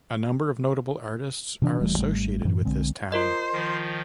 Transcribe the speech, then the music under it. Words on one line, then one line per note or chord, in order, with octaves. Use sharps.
A number of notable artists are associated with this town.
C3 E3 C#4 D4
D#1 E3 G3 A3
G#1 F#2 G3 A3
F#2 A2 E3
B1 D3 G#3 C4
F4 A#4 C5 D#5
D#3 F3